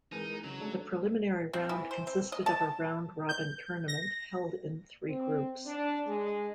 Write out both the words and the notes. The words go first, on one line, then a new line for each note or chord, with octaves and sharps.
The preliminary round consisted of a round-robin tournament held in three groups.
E3 G#3 D#4 A#4
C#3 F#3
G#3 A3 D4 A4
C4
E3
C5
C4
D#5
A5
G6
A#6
C4
D4
G#3